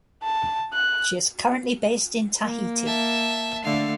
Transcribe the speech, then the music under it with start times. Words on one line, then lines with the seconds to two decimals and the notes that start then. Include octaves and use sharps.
She is currently based in Tahiti.
0.23 A5
0.73 F#6
2.42 A#3
2.86 E5 A5
3.64 D3 A3 F5